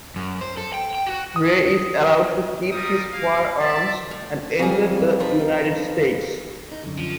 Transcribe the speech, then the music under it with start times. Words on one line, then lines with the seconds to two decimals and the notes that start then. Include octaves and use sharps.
Ray is allowed to keep his firearms and enter the United States.
0.16 F#2
0.41 C5
0.57 A4
0.74 G5
0.95 G5
1.07 F#4
1.36 D#6
2.72 G3 F4 A#4 D#6
3.13 A#3 F5
3.60 D5 E5 A5
4.11 A2
4.59 F2 F3 G3 G#4
5.20 F3 D#4 A#4 B4
6.72 D#4
6.84 F#2 D3
6.98 F3